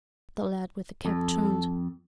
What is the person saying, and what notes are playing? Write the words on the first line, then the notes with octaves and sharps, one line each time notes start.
The lad with the cap turned.
F2 A4